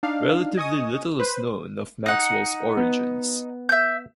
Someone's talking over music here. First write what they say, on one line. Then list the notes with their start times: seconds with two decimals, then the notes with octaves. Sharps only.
Relatively little is known of Maxwell’s origins.
0.03 D4 D#4 F5
0.57 D#5 G#5 C#6 D#6
1.20 B4 C5
2.06 D#4 F#5
2.77 B3
3.69 E5 G6